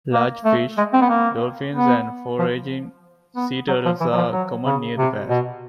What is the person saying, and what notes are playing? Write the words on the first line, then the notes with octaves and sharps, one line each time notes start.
Large fish, dolphins and foraging sea turtles are common near the pass.
A#3
A3
G#3
C4
B3
A#3
B3
F3
B3
F#3
F3
E3
F#3
F3
F#3
C#3
C3
B2